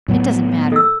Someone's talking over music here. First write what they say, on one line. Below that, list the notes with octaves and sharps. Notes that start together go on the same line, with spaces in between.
It doesn't matter.
A2 F#3 B3
A4 E6